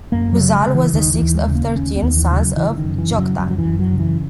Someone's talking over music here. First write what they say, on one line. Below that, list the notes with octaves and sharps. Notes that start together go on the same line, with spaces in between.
Uzal was the sixth of thirteen sons of Joktan.
F#2 A#3
F#3
C#3
G#3
C#3
E3
D#2 D#3
E3
D#2
G#3
C#3
A#3
D#2 C#4
B3
D#2
E3
C#3 G#3
F#3
C#3 E3
E3
D#3
F#2
E3
C#3
F#3
F#2 F#3
F#3
E3
F#2
F#3
C#3
E3